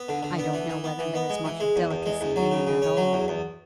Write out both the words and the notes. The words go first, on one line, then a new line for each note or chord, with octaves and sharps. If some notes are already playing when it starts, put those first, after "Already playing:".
"I don't know whether there is much of delicacy in it at all."
Already playing: B3
D3
D3
B3
E3
E3
B3
E3
B3
G#3
E3
G#3
E2
E2
G#3
E2
F#3
C#3
C#3
C#4
F#3
E2
E2